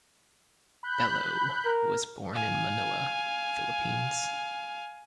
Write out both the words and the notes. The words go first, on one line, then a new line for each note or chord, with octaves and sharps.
Bello was born in Manila, Philippines.
B5 F#6 G6
A#4
F5 G#5